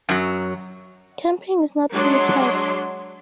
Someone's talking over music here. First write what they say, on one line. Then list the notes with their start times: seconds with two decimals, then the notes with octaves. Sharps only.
Camping is not permitted.
0.09 F#2 F#3
1.92 F#3 G#3 D4 C#5 C6